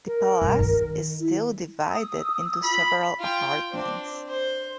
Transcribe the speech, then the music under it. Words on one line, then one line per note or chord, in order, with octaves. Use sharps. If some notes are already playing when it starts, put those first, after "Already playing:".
The palace is still divided into several apartments.
A#4
G2 B2
D#3
E4
D#6 E6
F4 B5
F4 G5
C4 D4
C5